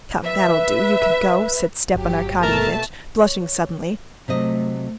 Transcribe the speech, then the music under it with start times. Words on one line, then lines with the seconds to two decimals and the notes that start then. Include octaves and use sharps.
"Come, that'll do, you can go," said Stepan Arkadyevitch, blushing suddenly.
0.24 B4 E5
1.95 G1 F#3 G4
2.43 B2 A3 A#3 A#4 E5 A5
3.18 C#5
4.28 C3 F#3 A3 D#5